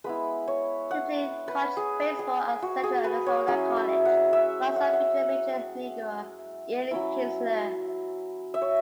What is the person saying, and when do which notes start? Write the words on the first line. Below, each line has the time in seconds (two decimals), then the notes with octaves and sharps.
He played college baseball at Central Arizona College, alongside future major leaguer Ian Kinsler.
0.04 G#3 B3 E4 B4
0.48 C#5
0.91 F#5
1.48 B4
1.77 G#4
2.19 G#4
2.62 F#4
2.84 G#4
3.04 B4
3.26 C#5
3.47 F#3 C#4 E4 G#4
3.76 E5
4.05 F#5
4.33 E5
4.76 F#5
4.93 F#5
6.91 F#3 C#4 E4
8.54 E5
8.62 C#5